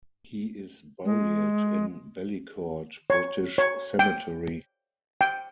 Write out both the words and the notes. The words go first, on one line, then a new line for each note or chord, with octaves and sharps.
He is buried in Bellicourt British Cemetery.
G#3
C#5
C#5
G5
G5